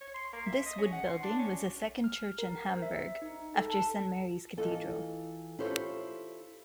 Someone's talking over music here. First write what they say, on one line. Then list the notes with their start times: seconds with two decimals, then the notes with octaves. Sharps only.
This wood building was the second church in Hamburg, after Saint Mary's Cathedral.
0.01 C#5
0.14 C6
0.33 A#3
0.46 E5
0.66 D#5
0.78 C#4
0.93 F#5
1.07 C6
1.23 D4
1.39 C#4
2.04 F6
2.39 A#4
2.68 C5
2.82 E5
3.22 D#4
3.55 A4
3.70 A5
4.57 E3 F4 A4 D#5
5.59 E4 F4 G4 A4 C5 C#5